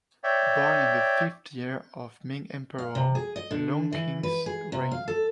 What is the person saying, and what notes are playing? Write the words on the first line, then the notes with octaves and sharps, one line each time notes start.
Born in the fifth year of Ming Emperor Longqing’s reign.
C#5 D5 E5 G5
F5
C3
G#4
D#5
D3
E3
B4
G#4
C3
F5
A4